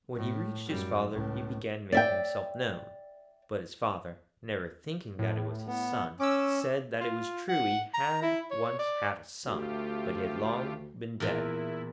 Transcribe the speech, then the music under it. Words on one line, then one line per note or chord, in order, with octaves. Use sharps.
When he reached his father he began making himself known; but his father, never thinking that it was his son, said that it was true he had once had a son, but he had long been dead.
A2
F#2 G3
C#2 A2
D5 E5 G5
A2
B3
C#4 D6 E6
F4
F#5
A#5
E4
C#5
D5
D2 A3 F4 G4
E2 A#2 E4